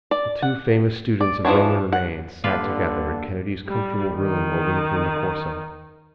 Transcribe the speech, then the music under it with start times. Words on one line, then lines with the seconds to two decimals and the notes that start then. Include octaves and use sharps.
The two famous students of Roman remains sat together in Kennedy's comfortable room overlooking the Corso.
0.11 D5
0.42 F#5
1.21 D5
1.45 E3 F3 C4 D4 C#5
1.92 F#5
2.44 G2 D3 A#3 D4 F4 B4
3.67 G3
4.16 D#3